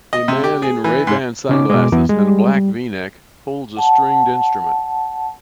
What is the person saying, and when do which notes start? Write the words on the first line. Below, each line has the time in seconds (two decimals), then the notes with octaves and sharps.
A man in RayBan sunglasses and a black vneck holds a stringed instrument.
0.13 D#5
0.28 C3
0.44 G4
0.62 G#4
0.84 E3
1.07 G#2
1.49 C#3 C#4 D#4 D6
1.70 B2 G#3
1.92 E2 E3 B3
2.10 G3 G#3
3.77 F#5 A5